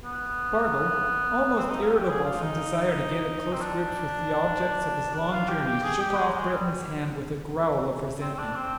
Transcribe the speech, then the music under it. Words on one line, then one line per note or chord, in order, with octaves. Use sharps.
Spargo, almost irritable from desire to get at close grips with the objects of his long journey, shook off Breton's hand with a growl of resentment.
B3
C4
D#4
F4
G4
G#4
F4
D#4
C4
D4
D4
F4
G4
G4
G#4
G4
G#3
G#3
G3
C4
C4
D4
C4